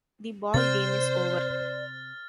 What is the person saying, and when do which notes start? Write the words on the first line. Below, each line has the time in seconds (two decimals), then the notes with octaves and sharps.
The ball game is over!
0.54 C3 C4 C5 D5 F6 A6